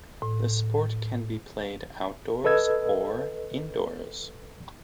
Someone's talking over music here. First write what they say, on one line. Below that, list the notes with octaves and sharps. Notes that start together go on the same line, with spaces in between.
The sport can be played outdoors or indoors.
A2
A4 B4 D#5 E6 G#6